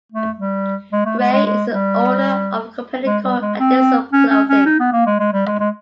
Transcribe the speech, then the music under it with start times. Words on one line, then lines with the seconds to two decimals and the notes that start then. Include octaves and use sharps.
Gray is the owner of a company called Adesso Clothing.
0.12 A3
0.39 G3
0.92 G#3
1.05 A3
1.19 G#3
1.33 G#3
1.46 G#3
1.73 G3
3.06 G#3
3.24 G3
3.42 G#3
3.60 C4
4.13 C#4
4.31 C#4
4.48 C#4
4.66 D#4
4.80 B3
4.93 A#3
5.06 G#3
5.19 G#3
5.33 G3
5.47 G#3
5.60 G#3